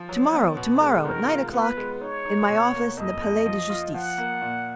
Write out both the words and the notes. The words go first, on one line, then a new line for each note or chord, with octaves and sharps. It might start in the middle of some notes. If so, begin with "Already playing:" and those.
"To-morrow!--to-morrow, at nine o'clock, in my office in the Palais de Justice."
Already playing: F3
F#3
B3
B2
G#3
D#3 A#4
F4
B3 B4
G#3
D#4 C#5
D#4
B2
A#3
F2 D#5
F2
F3
F4
F3 F#5
A#3
A#2